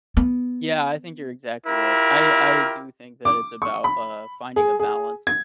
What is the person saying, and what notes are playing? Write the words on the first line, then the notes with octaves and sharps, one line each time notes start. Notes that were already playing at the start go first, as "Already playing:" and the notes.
Yeah, I think you're exactly right I I do think that it's about, uh, finding a balance,
B3
E4 F4 G4 A#4
D6
C#6
B5
G#4
G#4
G#6